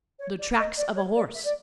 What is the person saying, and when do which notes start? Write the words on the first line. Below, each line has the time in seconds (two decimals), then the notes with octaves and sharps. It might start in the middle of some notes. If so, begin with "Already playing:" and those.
"The tracks of a horse."
0.20 C#5
0.38 D5
0.58 D#5
0.77 D5
0.95 C#5
1.15 D5
1.34 E5
1.43 D5